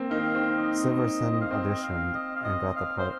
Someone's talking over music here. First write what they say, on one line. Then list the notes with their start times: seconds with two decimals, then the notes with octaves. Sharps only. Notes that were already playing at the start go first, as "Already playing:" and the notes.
Siversen auditioned, and got the part.
Already playing: A#3 C4
0.11 D#3 D#4 F5
0.35 C4
0.51 F5
0.58 D#5
1.41 F5
1.51 C4 D#5
1.83 F5
2.14 D#5
2.36 F5
2.44 D#5
2.76 F5
2.98 C5